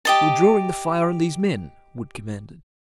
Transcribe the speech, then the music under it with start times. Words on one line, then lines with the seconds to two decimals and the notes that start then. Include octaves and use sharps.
"You're drawing the fire on these men," Wood commanded.
0.05 G4 D#5 A5